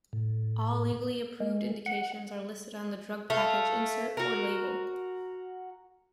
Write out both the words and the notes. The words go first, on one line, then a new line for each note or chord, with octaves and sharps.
All legally approved indications are listed on the drug package insert or "label".
A2
G#3
F#5
A3 F5
F#4 A#4